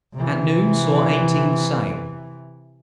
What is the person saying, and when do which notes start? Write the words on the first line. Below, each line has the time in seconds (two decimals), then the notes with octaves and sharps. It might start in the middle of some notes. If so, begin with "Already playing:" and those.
At noon saw eighteen sail.
0.14 C3 E3